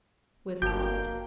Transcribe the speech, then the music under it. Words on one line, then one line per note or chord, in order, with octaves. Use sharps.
"With what?"
G1 A#3 F#4 G5 A5 G6